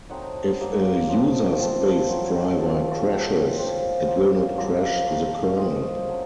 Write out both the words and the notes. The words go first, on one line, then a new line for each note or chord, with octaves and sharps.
If a user-space driver crashes, it will not crash the kernel.
F#3 A3 C4 D#4 F#5
F#3 A#3 D#4
F3 A3 C4
A3 C4 F4 A5
F#3 A3 C4 F4
A3 C4 F4 A5
F#3 C4 F4
F3 C4 F4
F#3 A#3 F4 F#5
F3 A#3 C#4 F4
A3 C4 D#4 F5
F3 C4 F4 D#5
F#3 A3 C#4